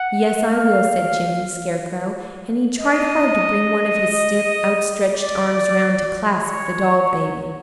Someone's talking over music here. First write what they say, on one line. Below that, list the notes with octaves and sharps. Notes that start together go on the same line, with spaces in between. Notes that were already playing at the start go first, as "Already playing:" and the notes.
"Yes, I will," said Jimmy Scarecrow, and he tried hard to bring one of his stiff, outstretched arms around to clasp the doll-baby.
Already playing: F#5
F5
D#5
D5
C#5